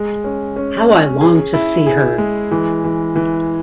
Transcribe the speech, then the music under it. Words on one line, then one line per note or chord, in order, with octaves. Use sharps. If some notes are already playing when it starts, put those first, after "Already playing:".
How I long to see her!
Already playing: G#3
C#4
C#4
C#4
G#4
E4
G#4
G#3
E3
E3
E3